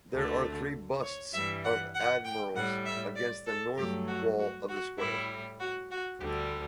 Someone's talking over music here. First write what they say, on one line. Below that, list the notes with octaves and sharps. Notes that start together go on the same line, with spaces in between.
There are three busts of admirals against the north wall of the square.
D2 D3 A3
C#5
G2 E3 G3 E5
F#5
F#5
G5
A2 G3 F#5
E5
D5
A4
G2 F#3 A3 G4
F#4
F#4
F#4
A2 G3 E4
F#4
F#4
D2 D3 G3 G4